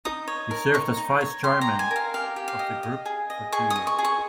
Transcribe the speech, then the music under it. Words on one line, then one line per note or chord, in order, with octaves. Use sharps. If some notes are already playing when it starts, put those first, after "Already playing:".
He served as vice-chairman of the group for two years.
D#4 D#6
C#5
A#4
D#4 C#6
D#4
C#5
G4 C6
A#5
D#5
G#5
A#4
F5
G4 F5
G4
F5
D#5
D#5
G#4
D#5
G#4 C#6
D#6
D#5
C#6
G#4
C#6